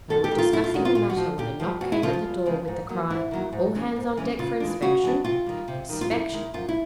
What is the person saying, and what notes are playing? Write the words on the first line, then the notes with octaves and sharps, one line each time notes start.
They were discussing the matter when a knock came at the door with the cry, "All hands on deck for inspection." Inspection!
F#2 A4
G4
D#3 G#3
F4
F#2 E4
F4
D#3 G#3 F#4
F4
A#2 F4
F#4
F3 G#3
A#2 G4
F3 G#3
E2 F#4
E4
C#3 F3 G#3 F4
F4
E2
C#3 F3 G#3
G#2
D#3 F#3 A#3
G#2 E4
D#3 F#3 A#3
G#2
E3 G#3 C#4
G#2
E3 G#3 C#4
C#3 F4
E3 G#3 B3 D4
C#3 F#4
E3 G#3 B3 D4
C3 F4
D#3 G3
C3
D#3 G3
F4
F#2 E4
D#3 G#3
F#2 F4
E4